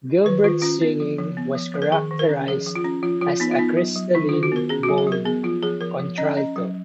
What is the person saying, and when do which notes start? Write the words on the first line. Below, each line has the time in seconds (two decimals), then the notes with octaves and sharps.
Gilbert's singing was characterized as a crystalline, bold contralto.
0.25 D#3 B4
0.44 D#3 F4
0.62 C#4 F4
0.82 B3
1.00 F3
1.19 F3
1.37 B3
1.55 F3
1.74 F3
1.82 A#4
1.92 D#3 G#4
2.11 D#3
2.19 A#4
2.29 C#4
2.48 F3 G#4
2.66 F3
2.76 F4
2.85 C#4
3.03 F3 F4
3.21 F3 F4
3.40 B3 D#4
3.51 F4
3.58 B3 D#4
3.77 F#3
3.96 F#3
4.15 D#3 D#4
4.29 F4
4.33 D#3
4.43 F#4
4.52 B3 A#4
4.69 C#4 G#4
4.83 F#4
4.89 F#3
4.98 G#4
5.07 F#3 A#4
5.25 B3 G#4
5.44 F3 F4
5.63 F3 G#4
5.81 F3 A#4
6.00 F3
6.18 C#4 D#5
6.37 C#4 D#5
6.56 F#3